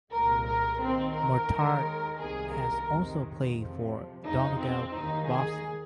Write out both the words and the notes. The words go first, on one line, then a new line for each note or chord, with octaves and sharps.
Murtagh has also played for Donegal Boston.
C2 A#2 G#3 A#4
A#4
D#2 D#3 A#3 C4
A#4
D#2 D#3 G#3
C2 C3 D#3 A#3 G#4
A#4
F2 C3 D#3 G#3
F2 C3 F3
F2 F3 G#3 D#4
C4
D#2 D#3 A#3 D#4
G#4